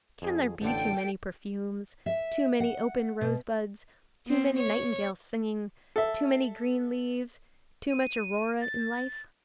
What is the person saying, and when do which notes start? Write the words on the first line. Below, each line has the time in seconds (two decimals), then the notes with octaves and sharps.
Can there be too many perfumes, too many open rose-buds, too many nightingales singing, too many green leaves, too much aurora in life?
0.22 F2 G#4
0.62 A1 D3 A4 G5 D7
2.06 E5
2.60 F#5
3.21 B2
4.26 B3 C4
4.57 C#5
5.96 A4 E5
7.90 D#7
8.61 A6